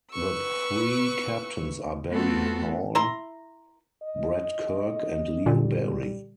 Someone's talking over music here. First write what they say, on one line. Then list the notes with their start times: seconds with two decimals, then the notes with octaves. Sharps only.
The three captains are Barry Hall, Brett Kirk and Leo Barry.
0.11 B4 C#6 E6
2.11 A3 B3 C4 F4 F#4 A4
2.95 E4 E5 A#5 C6
4.03 D#5
5.46 A#2 D3 G3